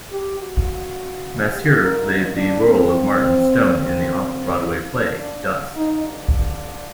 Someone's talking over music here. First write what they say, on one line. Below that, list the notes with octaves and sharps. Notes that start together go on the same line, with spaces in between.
Masur played the role of Martin Stone in the off-Broadway play "Dust".
G4
F#4
G2 D#3 G4
A#4
D4
C4
F#2 D3 C4
D4
D4
D#4
G2 D3 D4